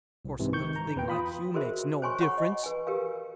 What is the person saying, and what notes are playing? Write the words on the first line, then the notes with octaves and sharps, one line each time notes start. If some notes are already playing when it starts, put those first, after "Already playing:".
"Of course a little thing like Hugh makes no difference!"
C2
G#2 C3 E3
D#3 C#6 G6
A#5
E2 B4 G5
F4 B5 D#6
F#4 G#4 A#4 C5 E5
C5 C#5 G#5 C6 C#6
C#5 F#5 B5 C#6
D#5
B4 G#5
G4 A#4 B4 F5